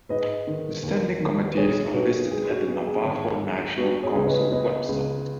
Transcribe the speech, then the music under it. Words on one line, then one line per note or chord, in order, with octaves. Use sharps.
The standing committees are listed at the Navajo Nation Council website.
G#2 B4 D#5
D#3
D#2
D#3
B4
B1 G#4 C#5
B1 F#4 B4
G#3 G#4
F#4
B3 G#4
G#4
G#1 G#4 C#5
G#3
B3 F#4 B4
G#4 C#5
C#2
B4 D#5
B3 B4 D#5
C#2